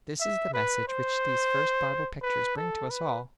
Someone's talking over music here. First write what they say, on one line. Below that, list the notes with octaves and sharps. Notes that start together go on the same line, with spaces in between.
This is the message which these first Bible pictures bring to us all.
E5
B4
C5
B4
A4
B4